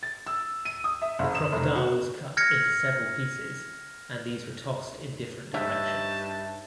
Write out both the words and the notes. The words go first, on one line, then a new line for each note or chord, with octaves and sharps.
The crocodile was cut into several pieces and these were tossed in different directions.
A6
E6
D#7
D#6
E5
F#1
E7
F1
F#4
F6 G#6 A#6 C#7
G2 D#4 C#5 E5 A5